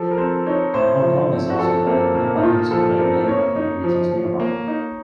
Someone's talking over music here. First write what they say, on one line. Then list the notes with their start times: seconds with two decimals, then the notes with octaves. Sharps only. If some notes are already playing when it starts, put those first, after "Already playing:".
Hong Kong has also had an abundant supply of labour from the regions nearby.
Already playing: F3 A4
0.11 A#4
0.18 C4 C5
0.46 D#4 C#5
0.74 A2 C5
1.02 F3
1.30 C4
1.50 F#4
1.59 F3 A4
1.87 A#3 C4
2.15 A#2 A#3
2.36 D#4
2.43 A#2 F4
2.71 F3 A4
2.99 C4 A#4
3.27 A#3 C#5
3.56 D#4
3.84 F3
4.12 F3
4.40 A#3
4.68 D#4